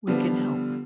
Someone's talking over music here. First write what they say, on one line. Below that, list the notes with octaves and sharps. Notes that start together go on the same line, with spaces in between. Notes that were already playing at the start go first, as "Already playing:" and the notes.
We can help.
D3 F3 G3 B3 F4